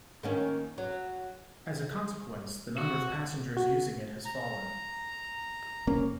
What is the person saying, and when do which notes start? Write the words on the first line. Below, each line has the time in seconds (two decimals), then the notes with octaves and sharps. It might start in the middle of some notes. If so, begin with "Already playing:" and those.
As a consequence, the number of passengers using it has fallen.
0.23 D#3 A#3 C#4
0.78 F#3
2.78 F#4
3.57 F#4
4.25 A#5
5.87 F1 A#3 C#4